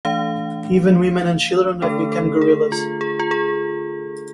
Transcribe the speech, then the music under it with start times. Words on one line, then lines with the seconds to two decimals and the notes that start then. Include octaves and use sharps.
Even women and children have become guerrillas.
0.05 E3 A3 D4 F5
1.82 D3 A3 D4 A4
2.12 A4
2.41 G#4
2.72 F4
3.01 G#4
3.19 F4
3.31 G#4